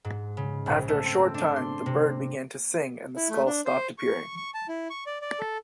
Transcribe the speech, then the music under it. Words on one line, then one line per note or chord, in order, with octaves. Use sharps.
After a short time, the bird began to sing and the skull stopped appearing.
G#2
C#3
A#1
A3
C4
D4
C6
C3
E4
A3
D4
C5
C#6
C#6
A5
E4
C#6
D5
D5
A4